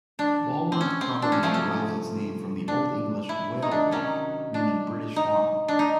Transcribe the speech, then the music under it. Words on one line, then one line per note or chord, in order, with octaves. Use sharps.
Walworth probably derives its name from the Old English "Wealhworth" meaning British farm.
D4
C4
C#4
C4
D4
C#4
C3 F3 A3 C4
C#4
D4
E4
D#4
D4
C3 D#3 F#3 C#4
D4
D#4
D4
D#4